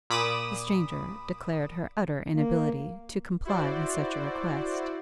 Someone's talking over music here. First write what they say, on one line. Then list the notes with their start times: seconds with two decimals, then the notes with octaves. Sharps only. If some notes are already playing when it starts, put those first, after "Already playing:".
The stranger declared her utter inability to comply with such a request.
0.10 A#2 B5 D6 D#6 E7
2.34 A#3
3.45 E4 F#4 C5 D5